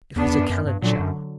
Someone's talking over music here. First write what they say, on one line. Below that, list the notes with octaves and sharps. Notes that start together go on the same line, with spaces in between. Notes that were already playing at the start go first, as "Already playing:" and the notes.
It was a cannon shell.
E2 B3 D4
E2
F#2
F#2
G2
A#2 D3 F#3
F#2